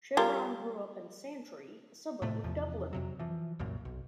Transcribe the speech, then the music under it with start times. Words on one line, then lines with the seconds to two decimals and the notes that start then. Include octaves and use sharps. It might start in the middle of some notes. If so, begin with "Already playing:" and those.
Chevron grew up in Santry, a suburb of Dublin.
0.17 G3 F4 A#4
2.22 A2 C3 A3
2.44 E2 C3 F3
2.93 F2 C3 F#3
3.19 E3 F3
3.59 C2 F#2 A#2
3.85 B1